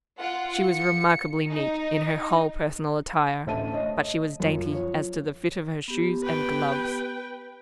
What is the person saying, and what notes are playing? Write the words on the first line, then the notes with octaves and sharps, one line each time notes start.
She was remarkably neat in her whole personal attire; but she was dainty as to the fit of her shoes and gloves.
F4 F#5
C#7
D#4
A1 D2 C5 E5 A5 D#7
C#5 D#5
F#2 F4
F3 C#5
B3 G4
B4 G5